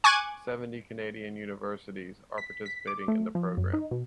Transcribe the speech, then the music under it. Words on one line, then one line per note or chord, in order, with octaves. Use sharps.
Seventy Canadian universities are participating in the program.
G#5 C#6 D6 F#6 G#6
B6
B6
D6
A3
F3
F#2
D#4
B2